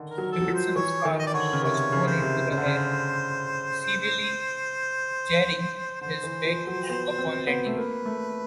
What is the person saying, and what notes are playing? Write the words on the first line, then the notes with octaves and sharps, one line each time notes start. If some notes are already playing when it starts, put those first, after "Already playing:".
Davidson's car was thrown into the air, severely jarring his back upon landing.
Already playing: D3 D#3
A#4
F#3
A4
F#3
F3
C5
E3 C#5
D#3
D#5
D5
D3 C#5
C#3
C3 C#5
C#3
C5
C3
C#3 C5
D3
C#3
D3 C5
E3
F3
F#3
B3
C4
B3
A3
A#3 B4
A3